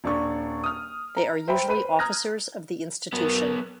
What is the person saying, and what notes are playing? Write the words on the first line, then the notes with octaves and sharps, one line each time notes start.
They are usually officers of the institution.
D#1 D4 C#6
D#6 F6
A#5
C5 E5 G5 A#5 B5
B4 C5 B5 D#7
A#5 D#6 F6 F#6 G#6 A#6
G2 F#3 B3 A#4